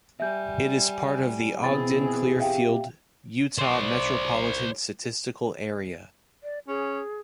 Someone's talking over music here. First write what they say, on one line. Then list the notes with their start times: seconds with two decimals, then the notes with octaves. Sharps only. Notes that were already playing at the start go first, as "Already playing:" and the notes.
It is part of the Ogden-Clearfield, Utah Metropolitan Statistical Area.
0.20 G3 E5 G#5 G6
1.62 B2 E3 C4 G#4 B5 A6
2.40 G4 E5 F5 G5
3.58 C5 D5
6.43 D5
6.68 C#4 G#4